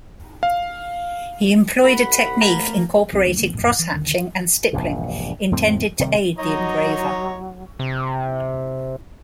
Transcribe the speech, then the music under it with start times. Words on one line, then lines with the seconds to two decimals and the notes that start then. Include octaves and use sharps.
He employed a technique incorporating cross-hatching and stippling, intended to aid the engraver.
0.43 F5
1.84 C2 F#5 B5
2.41 A3 A#3 A#5
3.13 B1 G3 C4
3.26 D2 D3 F#3 A3
3.39 G1 D3 A3 A#3
3.53 F1 A#1 F#2 A2
3.79 E3
3.94 D#1 D3 D#3
4.73 E1 A#1 G2 C3
5.51 F2 A2 D3 C4
5.99 C3 D#3 F#3 G3
6.38 F#3 D#4 C#5 D#5 A#5
7.79 C3